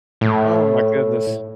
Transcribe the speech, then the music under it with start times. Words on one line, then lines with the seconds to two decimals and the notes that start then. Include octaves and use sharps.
Oh my goodness.
0.21 A2